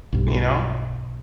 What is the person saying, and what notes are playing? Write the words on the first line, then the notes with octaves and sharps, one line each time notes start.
you know?
B1 G2